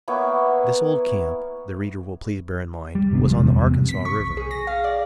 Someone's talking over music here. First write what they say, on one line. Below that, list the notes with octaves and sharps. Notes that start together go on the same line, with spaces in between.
This old camp, the reader will please bear in mind, was on the Arkansas River.
A#3 B3 E4 C#5
G3
G1 C3 B3 D4
E2 C3 F3 G#3
E1 A1 A2 G3
C3 A3 B3
B6
C#6
B1
G#4
A#6
F5
D5